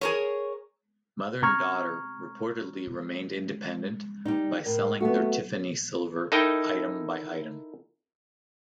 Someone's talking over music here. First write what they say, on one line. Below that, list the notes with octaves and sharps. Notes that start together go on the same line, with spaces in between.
Mother and daughter reportedly remained independent by selling their Tiffany silver item by item.
G#4 A#4 C#5
C3 A#5 C#6 F6 G#6
G3 D#4
A2 A#4
A3 B3 F#4
D#4 E4 A4 A#4 D#5 G5